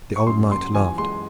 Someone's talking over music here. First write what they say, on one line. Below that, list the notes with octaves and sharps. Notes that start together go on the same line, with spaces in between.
The old knight laughed.
C#6
F#2 C6
F#2 C6
E3 G#5
G#3 C6